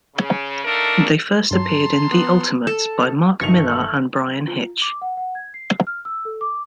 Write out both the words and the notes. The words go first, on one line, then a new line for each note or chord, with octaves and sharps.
They first appeared in "The Ultimates" by Mark Millar and Bryan Hitch.
C#3
A3 A#3 D4 D#4 A4 A#4
G2 F#3 A5 A#5 C6
B3
A4
G1 D#3 A3 C#6 F7
F4
D6
F#5
F#5
G#6
C7
F6
E6
A4
D6